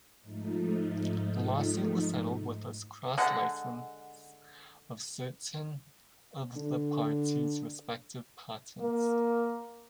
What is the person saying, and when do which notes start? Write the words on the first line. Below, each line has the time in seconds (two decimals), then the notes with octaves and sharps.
The lawsuit was settled with a cross-license of certain of the parties' respective patents.
0.21 G#2 F3 A3 D#4
3.18 D3 G#3 F#5
6.56 D3
8.81 A#3